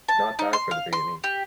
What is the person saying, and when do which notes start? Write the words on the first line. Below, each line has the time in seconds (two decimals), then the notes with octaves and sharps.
Not bad for the beginning.
0.08 A5
0.39 D#4
0.53 C6
0.71 F5
0.93 C6
1.24 G4